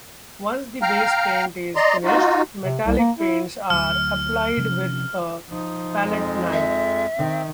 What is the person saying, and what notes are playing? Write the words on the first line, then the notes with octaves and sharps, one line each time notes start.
Once the base paint is finished, metallic paints are applied with a palette knife.
F5 G5 A#5 F6
D5 D#5 A#5 C6
D#4 F4 F#4
C3
C2
A#3
E4
D2 F#3 F6
C3 F3 C#4
F3 D#4
F2 G#3
E5
D#3 C4